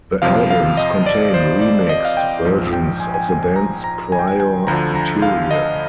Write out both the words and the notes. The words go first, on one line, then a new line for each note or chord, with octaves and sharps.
The albums contain remixed versions of the band's prior material.
F2 C3 F3 F5
F5
D#5
D5
C5
D5
D#5
F5
G5
A#1 G#2 F3
G5
G#5
G#5
G#5
G#5
A#5
A#5
G#5
G5
G#5
G#5
D2 D3 F3 A#5
A#5
F5
D#5